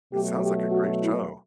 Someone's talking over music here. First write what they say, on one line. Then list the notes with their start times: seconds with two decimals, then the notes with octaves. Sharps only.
It sounds like a great show.
0.12 B2 F#3 A3 G4
0.41 G4
0.71 F#4
1.01 E4